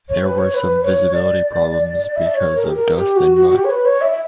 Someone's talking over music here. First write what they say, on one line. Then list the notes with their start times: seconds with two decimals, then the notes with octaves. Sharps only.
There were some visibility problems because of dust and mud.
0.09 C#5
0.23 B4
0.38 C#5
0.54 B4
0.83 C#5
1.13 D5
2.16 E5
2.26 D5
2.34 C#5
2.55 A#4
2.65 G4
2.75 A#4
2.96 G4
3.16 F#4
3.35 F#4
3.49 F#4
3.55 G4
3.64 C#5
3.70 B4
3.85 C#5
4.01 E5
4.12 E5